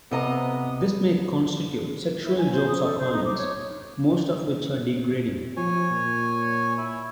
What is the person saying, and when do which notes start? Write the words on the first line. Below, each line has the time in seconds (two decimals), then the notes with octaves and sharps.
This may constitute sexual jokes or comments, most of which are degrading.
0.11 C3 B3 D#5 A#5
2.24 E4
2.38 G#5
2.52 C5
2.68 D#6
2.84 A4
2.98 C5
3.13 D#4
3.25 D6
3.38 C#5
5.57 F3 C#5 G#5
5.91 A#2
6.77 E4